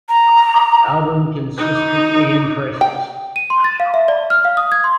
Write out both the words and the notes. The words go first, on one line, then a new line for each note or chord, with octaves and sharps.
The album consistently impresses.
A#5
D#4
G5
D#7
C6
A6
F5
E5
D5
F6
F5
D#6
G#6
C6